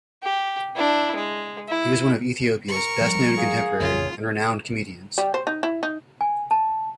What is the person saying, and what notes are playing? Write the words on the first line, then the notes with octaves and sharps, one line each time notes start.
He was one of Ethiopia's best known contemporary and renowned comedians.
G4
D4 E4
G#3
E4
A#4 C#6
F3 G3
G#4 F5
A1 F2 C#3 F4 C#5
G3
C5
D#4
E4
D#4
G#5
A5